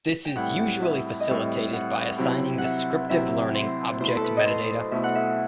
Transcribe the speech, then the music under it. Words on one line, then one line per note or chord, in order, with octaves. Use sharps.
This is usually facilitated by assigning descriptive learning object metadata.
G5
A2 G3 C4 E4 F#5
E5
D#5
A2 G3 C4 E4 E5
F#5
C3 F#3 C4 E4 G5
F#5
E5
C3 F#3 C4 E4 E5
C5
B2 A3 E4 C5
B4
A4
B4
D#5
C5
B2 A3 E4 E5
F#5
E5